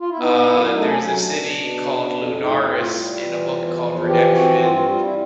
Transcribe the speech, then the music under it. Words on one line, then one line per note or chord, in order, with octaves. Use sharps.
Uh, there's a city called Lunaris in a book called Redemption
F4
E4
B3 D#4
F#2 E4
A3 D#4
C#4
F#3 C#4
D4
B2
B2
C#3
F2
A2 D#4
A2
F4
G3
E3
E2
F3
E3 G4
C4 F#4
G2 F4
F4
G3 F4
E4